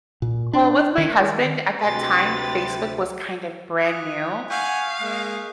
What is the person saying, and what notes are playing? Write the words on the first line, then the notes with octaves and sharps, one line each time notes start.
Well, with my husband, at that time, Facebook was kind of brand new,
A#2
D4
D#3
D2 C3 G4 B4 G5 C6 A6
F4 D#6 F#6 B6
F5 F#5 G#5 C#6 G6 B6
G#3 A#3 F#6